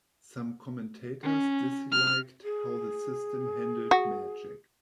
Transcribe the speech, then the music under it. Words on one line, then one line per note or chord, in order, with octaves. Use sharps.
Some commentators disliked how the system handled magic.
C#4
F6
G#4
F#4